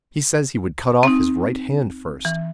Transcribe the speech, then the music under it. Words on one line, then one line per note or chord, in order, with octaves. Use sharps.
"He says he would cut off his right hand first."
C4 D#4
E3